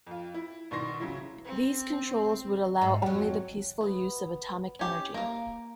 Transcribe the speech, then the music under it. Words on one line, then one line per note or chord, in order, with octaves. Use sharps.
These controls would allow only the peaceful use of atomic energy.
F2 F4
E4
C2 B2 D#3 C6 A#6 C7
C#3 F#3 E4
C4
G#2
F2 F#3
B3
C#4 G4
A#3 F5